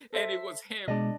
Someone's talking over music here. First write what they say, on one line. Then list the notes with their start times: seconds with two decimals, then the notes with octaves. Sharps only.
And it was him.
0.13 A4 C5 E5
0.88 B2 G#3 D4 D5 D#5